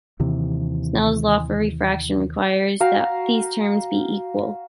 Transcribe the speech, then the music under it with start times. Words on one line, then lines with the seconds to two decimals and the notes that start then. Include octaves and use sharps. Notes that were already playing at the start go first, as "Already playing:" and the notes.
Snell's law for refraction requires that these terms be equal.
0.20 D#2 C3 E3
2.80 F#4 F5 G5 A#5